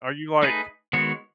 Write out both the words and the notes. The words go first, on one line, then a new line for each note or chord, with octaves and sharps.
"Are you like"
A3 D#4 G#4 B4
D#3 G#3 B3 F#4 C#5